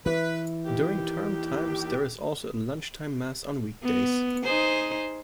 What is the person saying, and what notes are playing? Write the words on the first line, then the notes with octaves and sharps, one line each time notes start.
During term times there is also a lunchtime Mass on weekdays.
E3 B4
D#2 G4
B3
D#4 G#4 C5